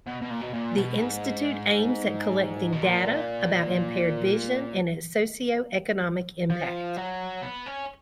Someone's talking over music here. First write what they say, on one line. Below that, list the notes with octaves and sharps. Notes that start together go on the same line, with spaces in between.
This institute aims at collecting data about impaired vision and its socio-economic impact.
B2
B2
A#2
B2
A#2
B2
G#2
B2
A#2
F3
F#3
B3
C#4